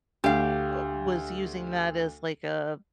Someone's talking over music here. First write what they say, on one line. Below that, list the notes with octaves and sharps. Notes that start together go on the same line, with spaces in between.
uh was using that as, like, a
D2 G4 F5